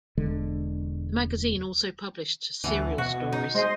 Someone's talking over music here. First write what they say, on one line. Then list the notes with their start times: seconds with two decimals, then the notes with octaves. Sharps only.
The magazine also published serial stories.
0.17 E1 D3 G#3
2.64 D2 B2 E3
2.98 B2 F#4
3.32 D#4
3.55 G#3 C5 D#5 C6